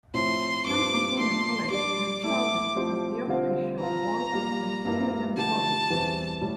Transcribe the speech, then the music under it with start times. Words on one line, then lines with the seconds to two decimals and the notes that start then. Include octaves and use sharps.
San Antonio College and serves as the official voice of the student body.
0.14 A2 F3 C4 E4 C6
0.66 G2 F3 C4 D6
1.18 F3 A3 D4 C6
1.70 G3 D4 G4 D5 D6
2.23 A3 E4 A4 E5 D6
2.75 F3 A3 C4 G4 C5
3.27 D3 G3 C4 F4 C5
3.80 F3 C4 F4 A#5
4.32 G3 A#3 F4
4.85 G2 F3 A#3 E4 A#4
5.37 D3 F3 A3 E4 G4 A5
5.90 E2 E3 G3 C4
6.41 A2 G3